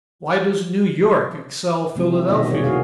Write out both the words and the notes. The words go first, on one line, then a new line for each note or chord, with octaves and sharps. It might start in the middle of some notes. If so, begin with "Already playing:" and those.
Why does New York excel Philadelphia?
C3 E3 F#3 G3 A3 C4
B2 D#3 B3 D#5 E5
C3 D#3 G#4 C#5 D5
A3 E4 F#4 G#4 F5